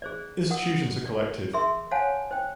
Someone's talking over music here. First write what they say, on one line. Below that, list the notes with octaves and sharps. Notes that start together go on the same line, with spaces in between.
Institutions are collective.
G#4 C5 D5
A#4 F#5 D#6
D5
G#4 A#4 E5 C6
C5 C#5 F5 F#5 G#5 A5
C5 G5